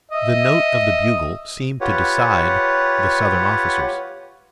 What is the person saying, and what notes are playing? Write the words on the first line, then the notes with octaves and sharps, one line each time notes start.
The note of the bugle seemed to decide the Southern officers.
D#5 E5
F4 G4 B4 C#5 F#5